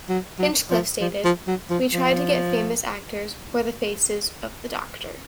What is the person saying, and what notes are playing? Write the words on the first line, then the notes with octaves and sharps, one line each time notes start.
Hinchcliffe stated, We tried to get famous actors for the faces of the Doctor.
F#3
F#3
F3
F3
F3
F#3
F3
F3